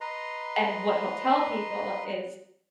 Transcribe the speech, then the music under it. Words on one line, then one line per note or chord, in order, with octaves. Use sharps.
and what he'll tell people is,
B4 D#5 A#5 C6